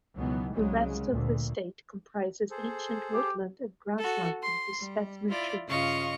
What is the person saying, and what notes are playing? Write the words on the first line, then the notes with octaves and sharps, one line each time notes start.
The rest of the estate comprises ancient woodland and grassland with specimen trees.
C#2 B2 D#3 E3 F#3 B3
C2 C#3 F#3 G#3
D2 A#2
G#4 A4 C5
G4
F#4 A4
C6
G3
E4 F4 D5
G2 C#3 F4 D#5 F5 C#6